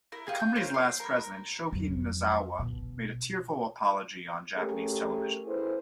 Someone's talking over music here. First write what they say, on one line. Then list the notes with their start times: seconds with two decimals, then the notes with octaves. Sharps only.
The company's last president, Shohei Nozawa made a tearful public apology on Japanese television.
0.12 E4 A#4
0.27 F4 G4 G#4
0.40 G6
0.56 A#4 C5 C#5 F5
0.74 C6
1.00 A#4 B5
1.72 F2 F#3
2.59 B2
4.57 A3 C#4 G4 G#4 A#4
5.46 E4 G#4 A4 B4 C5